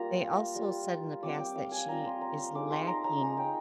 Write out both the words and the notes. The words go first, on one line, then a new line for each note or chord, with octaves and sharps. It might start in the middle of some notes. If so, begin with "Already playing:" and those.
they also said in the past that she is lacking
Already playing: G3 A#3 F4 A#5
G3 A#3 F4
G3 C4 F4 D6
G5
F5
G#5
G3 C4 F4 A#5
C6
A#5
C6
G#3 D#4 D6
C6
A#5
A#5
G#3 D#4
G5